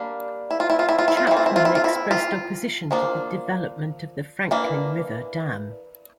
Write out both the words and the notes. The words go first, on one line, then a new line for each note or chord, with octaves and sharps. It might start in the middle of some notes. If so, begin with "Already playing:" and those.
Chapman expressed opposition to the development of the Franklin River Dam.
Already playing: G3 A#3 D4
E4
F4
E4
F4
E4
F4
E4
F4
E3 A3 C4 E4
F4
E4
F4
E4
F4
E4
F4
F3 A#3 D4
E3 A#3 D4